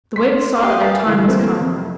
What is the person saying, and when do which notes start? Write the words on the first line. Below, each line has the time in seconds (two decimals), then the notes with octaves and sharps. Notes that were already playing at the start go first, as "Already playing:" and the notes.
The Whigs saw that their time was come.
0.16 C6 B6
0.62 F#4 G4 E5 F5 G5 D#6
0.80 A#4 B4 E5 F5 G#5
1.06 D3 E3 G3
1.27 E3 G3 A3 A#3 C4
1.59 F2 C3